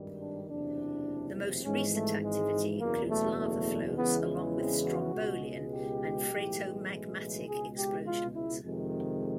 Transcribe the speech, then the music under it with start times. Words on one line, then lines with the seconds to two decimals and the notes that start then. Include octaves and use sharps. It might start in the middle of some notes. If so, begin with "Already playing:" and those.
The most recent activity includes lava flows along with strombolian and phreatomagmatic explosions.
Already playing: G#1 G2 D#3 G3
0.19 D4
0.48 F#1 E2 C3 E3 D4
1.64 G#1 G#2 E3 G#3 C#4
1.93 A3
2.23 G#3
2.80 F#1 E2 B2 A#3
3.10 A3
3.39 A3
3.98 E2 C#3 E3 G#3 B3
4.56 C4
4.85 F#4
5.14 C#2 B2 G#3
5.73 G4
6.30 B1 A2 E3 G#3
7.47 C#2 B2 G#3 G#4
7.77 G4
8.06 F4
8.35 E4
8.63 F2 C3 D#3 G#3